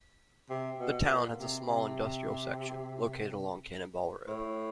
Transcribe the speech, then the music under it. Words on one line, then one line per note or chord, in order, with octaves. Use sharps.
The town has a small industrial section located along Cannonball Road.
C3
B2
A#2
C3
C3
A2